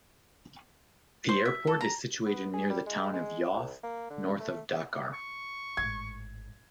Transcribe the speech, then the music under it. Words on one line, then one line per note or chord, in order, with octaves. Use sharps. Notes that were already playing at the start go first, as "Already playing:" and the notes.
The airport is situated near the town of Yoff, north of Dakar.
C5
E5
A4
A#5
B3
G#4
G3
G#3
G#3
C2
A#3
D3
A3
C#6
G#1 A2 G#6